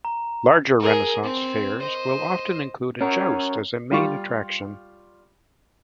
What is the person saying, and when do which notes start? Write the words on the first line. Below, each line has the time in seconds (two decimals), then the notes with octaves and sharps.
Larger Renaissance fairs will often include a joust as a main attraction.
0.05 A#5
0.79 G#4 A#4
1.23 C4
1.80 C5 D#5
3.01 C#4 A#4
3.91 G3 F4 C#6